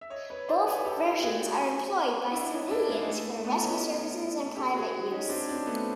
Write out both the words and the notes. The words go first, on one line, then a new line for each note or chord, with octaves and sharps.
Both versions are employed by civilians for rescue services and private use.
E5
C#5 D#5
B4 C#5
C5 D5
B4 C#5
G4 A4
F#4 G#4
D4 E4
C#4 D#4
D4 E4
G#3 A#3
G#3
A3
A3 B3
C#4 D#4
G4 A4
F#4 G#4
C#4 D#4
C4 D4
C4 D4
A3 B3